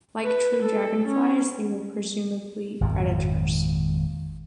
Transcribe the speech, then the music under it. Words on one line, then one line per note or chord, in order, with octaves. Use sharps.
Like true dragonflies, they were presumably predators.
B4
A4
C#4
G#1 F2 A#2